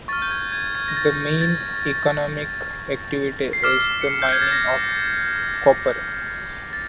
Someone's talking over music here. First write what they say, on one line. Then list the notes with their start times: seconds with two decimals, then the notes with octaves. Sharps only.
The main economic activity is the mining of copper.
0.08 C#6 A6
0.13 F6
0.22 G6
0.31 G#6
0.52 G#6
0.75 G#6
0.88 A#6
0.97 A6
1.41 A6
3.53 C7
3.62 D6 F6 B6
4.01 C#7
4.07 C7
4.22 G6
4.32 G#6
4.42 A6
4.52 A#6
6.28 A6
6.73 A6